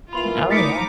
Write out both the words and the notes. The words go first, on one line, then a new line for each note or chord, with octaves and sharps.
Oh, yeah.
E3 A#3 E4 F4 B5 C6 F7
A2 D#4 A#5 D6 F6 A6 B6 C#7